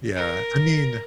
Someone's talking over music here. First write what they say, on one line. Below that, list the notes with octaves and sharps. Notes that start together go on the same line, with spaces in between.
Yeah. I mean
A#4